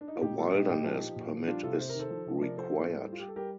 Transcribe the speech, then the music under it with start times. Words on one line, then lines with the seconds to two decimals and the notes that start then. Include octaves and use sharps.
A wilderness permit is required.
0.01 D4
0.08 D#4
0.16 F4
0.22 A#2 D#4 G4
0.38 G3 F4 A4
0.53 A#2 D#4 G4
0.69 A#2 D#4 G4
0.85 F3
1.01 F3
1.16 A#2
1.33 F3
1.47 G3 D4 F4
1.63 C3 F4 A4
1.79 C3 C5
1.89 A#4
1.95 D#3 A4 C5
2.11 F3
2.26 C3
2.41 F3 A#4 D5
2.57 F3 A4 C5
2.73 A2
2.89 A2
3.05 G3
3.13 F4
3.19 G3 G4
3.28 A4
3.36 G3 G4 A#4